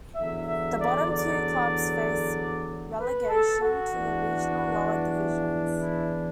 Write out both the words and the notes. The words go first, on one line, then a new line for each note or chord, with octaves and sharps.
The bottom two clubs face relegation to the regional lower divisions.
E2 D3 F#3 E5
E5
D5
D5
B4
A4
F#4
E2 E3 D4
E4